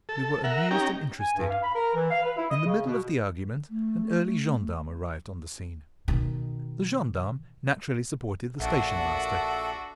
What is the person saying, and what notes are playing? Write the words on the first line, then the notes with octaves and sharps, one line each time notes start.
We were amused and interested. In the middle of the argument an early gendarme arrived on the scene. The gendarme naturally supported the station-master.
A4
A#4 E5 F#5
C#4 D#4 G4 G5 A#5
G#5
G2
F5
B5
A#4
E3
F5
B4
E4
D#5
C#3
B2
A3
B2 D#3
A#1 D4 F#4 A4 E5 F#5